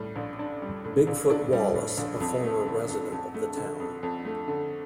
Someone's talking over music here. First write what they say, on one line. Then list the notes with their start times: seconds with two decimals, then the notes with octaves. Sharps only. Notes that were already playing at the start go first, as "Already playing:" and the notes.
"Bigfoot" Wallace, a former resident of the town.
Already playing: A2 G3
0.16 A#1
0.39 D4
0.62 G3
0.84 A2
1.07 A#1
1.30 D4
1.53 G3
1.75 A2
1.98 A#1
2.20 F2
2.44 A3
2.66 D3
2.89 F2
3.12 F2
3.35 A3
3.57 D3
3.80 F2
4.03 F2
4.25 A3
4.48 D3